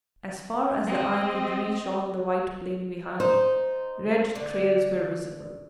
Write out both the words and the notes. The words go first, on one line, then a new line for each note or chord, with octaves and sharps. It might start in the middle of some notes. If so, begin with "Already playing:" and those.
As far as the eye could reach on the white plain behind, red trails were visible.
C4 D#5
D#4 C5
D3